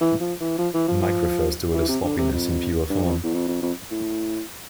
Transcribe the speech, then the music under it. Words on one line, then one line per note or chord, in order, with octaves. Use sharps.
Mike refers to it as sloppiness in pure form.
E3
F3
E3
F3
E3
F3
F3
E3
C3
D3
C3
F2
G2
F2
E2
F2
F2
F2
A2